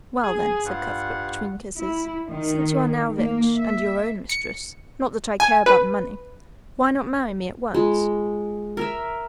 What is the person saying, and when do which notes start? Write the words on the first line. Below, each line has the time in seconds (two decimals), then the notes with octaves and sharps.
"Well, then," said Cuthbert, between kisses, "since you are now rich and your own mistress--not that I care about the money--why not marry me at once?"
0.23 G#4
0.65 G2 G3 F4 F#5
1.75 E4
2.29 D#3
3.19 A#3
3.57 E5
4.30 C#7
5.40 G#5
5.66 B4
7.74 G#3 F4
8.77 A#4 E5